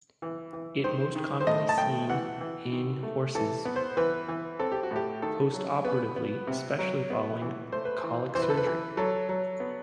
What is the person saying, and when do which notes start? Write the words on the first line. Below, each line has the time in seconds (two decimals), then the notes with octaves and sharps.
It most commonly seen in horses postoperatively, especially following colic surgery.
0.22 E3
0.53 E3
0.84 D#3 C5
1.15 D#3
1.40 C5
1.47 A2 D#5
1.69 A5
1.78 A2 G5
2.10 E3 F#5
2.41 E3
2.72 D#3
3.03 A3
3.35 E3 A4
3.65 B3
3.76 C5
3.97 E3 B4
4.29 E3
4.59 C4 A4
4.72 G4
4.83 F#4
4.91 A2 G4
5.22 D#3 A4
5.53 F#3
5.84 B3 B4
6.16 B3
6.47 C3
6.79 F#3
7.10 B3
7.42 E3
7.72 A3 C5
7.85 B4
7.97 C5
8.04 E3
8.35 E3 C5
8.42 B4
8.50 A4
8.57 B4
8.66 E3
8.97 F#3 A4
9.29 F#3
9.60 B3